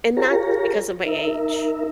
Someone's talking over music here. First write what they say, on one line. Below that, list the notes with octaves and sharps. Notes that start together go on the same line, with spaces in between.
and not just because of my age.
F4 G4 G#4 A#4 C#5 A#5
D#4 A#4 E5